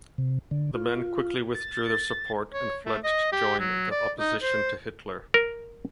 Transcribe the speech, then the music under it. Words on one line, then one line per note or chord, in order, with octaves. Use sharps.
The men quickly withdrew their support and fled to join the opposition to Hitler.
C3
D3
F4
A6
C#5
A3
D#5
G4
F#3
D5
D#4
C5
A#4